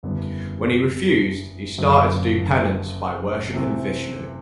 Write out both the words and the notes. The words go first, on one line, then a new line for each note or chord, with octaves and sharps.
When he refused he started to do penance by worshipping Vishnu.
F#1 E2 D3 G3 B3
F#1 F#2 D3 F#3
C3 E3 A3 C4 F#4